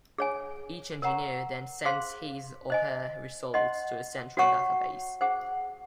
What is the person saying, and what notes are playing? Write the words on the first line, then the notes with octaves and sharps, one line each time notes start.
Each engineer then sends his or her results to a central database.
G#4 C#5 G#5
A#4 C#5 F#5 A#5 C#6
G#4 C5 F5 C6
C5 D#5 G#5
C5 D#5 F#5 C6
F#4 C#5 F#5 C#6
G#4 C5 F#5